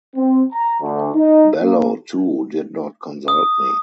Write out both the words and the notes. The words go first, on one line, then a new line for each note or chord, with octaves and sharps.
Bello too did not consult me.
C4
A#5
D2
D#4
A#3
D#6